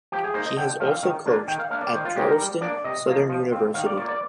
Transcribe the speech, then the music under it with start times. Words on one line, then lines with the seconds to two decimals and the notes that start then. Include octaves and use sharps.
He has also coached at Charleston Southern University.
0.12 F3 G4
0.24 G#4
0.34 A#3 D#4 C5
0.46 D#5
0.57 D3 G5
0.80 F3 F5
0.83 C4
0.91 F5
1.03 D#3
1.26 A#3 D4 F4
1.48 D#3 G5
1.59 F5
1.70 A#3 D4 F5
1.82 D5
1.93 D#3 C5
2.05 F4
2.15 G#3 D#4 G4
2.28 A#4
2.38 G3
2.61 A#3 D4 D5
2.84 C3 D#5
3.06 F3 A#3 F4
3.29 F3
3.52 C4 F4
3.74 D#3 F5
3.86 D5
3.97 F4 D5
4.01 A#3
4.09 D5